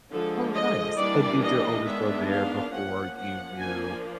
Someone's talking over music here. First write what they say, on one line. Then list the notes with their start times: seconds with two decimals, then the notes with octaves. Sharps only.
Oh, nice, and did your oldest go there before you knew
0.10 D3 F3 G#3 A4
0.54 D#5
0.97 E3 G3 A#3 D4 D5
1.42 D#5
1.84 D#3 G#3 B3 D4 E5
2.29 F5
2.71 F3 A#3 C#4 F#5
3.15 F#5
3.58 F3 A#3 D4 G#5